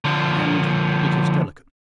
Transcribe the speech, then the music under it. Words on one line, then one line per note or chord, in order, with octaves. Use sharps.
"And it is delicate."
D3 F3